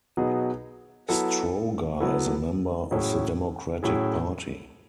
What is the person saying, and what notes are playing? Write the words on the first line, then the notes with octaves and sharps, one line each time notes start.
Stroger is a member of the Democratic Party.
B2 F#3 B3 D#4 G#4
F#3 B3 E4 A4
F#3 B3 E4 A4
A2 F#3 C#4 E4 G#4
A2 F#3 C#4 E4 G#4